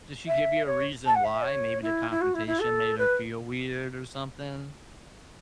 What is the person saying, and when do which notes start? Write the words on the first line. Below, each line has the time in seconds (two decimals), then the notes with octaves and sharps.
Did she give you a reason why? Maybe the confrontation made her feel weird, or something?
0.27 E5
0.66 C#5
1.06 A5
1.15 F#5
1.24 E5
1.44 C#5
1.82 E4
2.11 E4
2.21 F#4
2.34 E4
2.47 E4
2.60 A4
2.98 B4